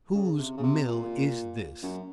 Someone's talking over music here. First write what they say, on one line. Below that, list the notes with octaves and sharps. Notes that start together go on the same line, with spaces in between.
"Whose mill is this?"
C#3
C3
C#3
C3
A#2
F#2